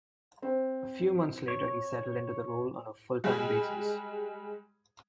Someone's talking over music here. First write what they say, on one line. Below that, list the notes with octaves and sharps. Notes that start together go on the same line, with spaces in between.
A few months later he settled into the role on a full-time basis.
C4
C#5
G3 G#3